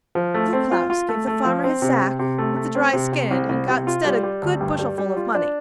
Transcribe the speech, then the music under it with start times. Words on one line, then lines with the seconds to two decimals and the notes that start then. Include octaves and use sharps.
Little Klaus gave the farmer his sack with the dry skin, and got instead a good bushelful of money.
0.15 F3
0.34 A3
0.53 C4
0.71 F4
0.90 F4
1.09 A3
1.27 A3
1.45 F3
1.64 C4
1.82 C3
2.02 C3
2.19 C3
2.38 A3
2.56 A3
2.75 C4
2.93 C3
3.13 C3
3.30 C2
3.49 C2
3.68 C3
3.87 F4
4.05 G3
4.23 G3
4.42 D2
4.61 G2
4.79 G3
4.98 G3
5.17 F4
5.35 D4